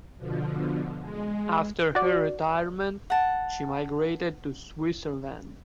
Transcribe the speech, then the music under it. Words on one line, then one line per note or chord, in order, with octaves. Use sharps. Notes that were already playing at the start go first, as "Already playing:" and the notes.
After her retirement she migrated to Switzerland.
B2 D3 F3
G#3
F#4 D5
F#5 A5